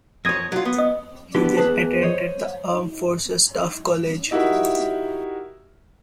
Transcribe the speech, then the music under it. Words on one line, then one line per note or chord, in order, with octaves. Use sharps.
He then attended the Armed Forces Staff College.
F2 C#5 D#6 G#6 A#6
F#3 F4
B3
D#5
B3 D4 E4 G4
E2 F3 G#4 B4 A5
C5 C#5 D#5
D#4 E4 F#4 G4 A#4 E5